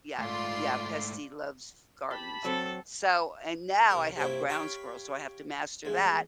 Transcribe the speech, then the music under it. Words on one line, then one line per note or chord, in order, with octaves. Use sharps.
Yeah, yeah, pest he loves f gardens. So, and now I have ground squirrels so I have to master that,
G#2 A3 F4 D5 C6
G4 A5 B5
F#3 C4 A4
C2 A#4
G2 C3 F#3 A#3 C4 E4
G4 C#5 F5 G5 B5
A1 E2 G#3